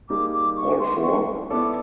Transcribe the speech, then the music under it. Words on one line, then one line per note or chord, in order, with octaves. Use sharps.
All four?
G3 A#3 D#4 G#4 D6
D6
C#6
C6
C#6
B3 E4 A4 D5 D6